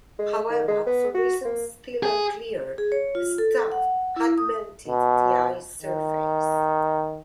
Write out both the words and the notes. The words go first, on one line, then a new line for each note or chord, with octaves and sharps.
However, for reasons still unclear, the staff had melted the ice surface.
G#3
D#3
G#3
B3
F#4
A#3
G#4
G#4
C#5
F4
A4
F#5
E4
D#6
B2
D#3